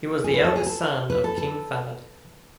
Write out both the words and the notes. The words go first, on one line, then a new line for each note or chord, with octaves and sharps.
He was the eldest son of King Fahd.
G#4
B4
A4
G#4
A4
B4
A4
A4